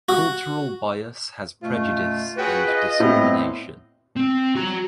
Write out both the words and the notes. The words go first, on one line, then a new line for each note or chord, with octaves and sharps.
Cultural bias has prejudice and discrimination.
F#4
F#2 B2 A3 F4
C#4 F#4 G#4 B4 G5
D#5
A2 B3 C4
C4
F#4 A#5